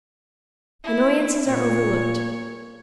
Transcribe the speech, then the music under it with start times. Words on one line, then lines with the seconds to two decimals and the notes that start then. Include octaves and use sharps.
Annoyances are overlooked.
0.84 E4
1.48 A#2 C#5